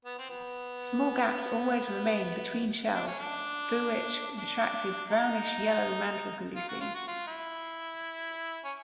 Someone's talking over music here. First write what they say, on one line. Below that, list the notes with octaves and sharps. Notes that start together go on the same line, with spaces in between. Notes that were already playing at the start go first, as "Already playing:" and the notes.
Small gaps always remain between shells through which retracted brownish-yellow mantle can be seen.
B3
C4
B3
D4
C#4
D4
D4
D#4
F4
F#4
F4
F#4
F4
E4
C#4